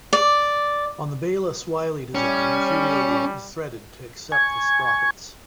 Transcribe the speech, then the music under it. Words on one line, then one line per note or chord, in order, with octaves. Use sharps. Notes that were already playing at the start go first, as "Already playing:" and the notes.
On the Bayliss-Wiley design the freewheel unit was threaded to accept the sprockets.
D5
G3 C#4
G#5 C#6 G#6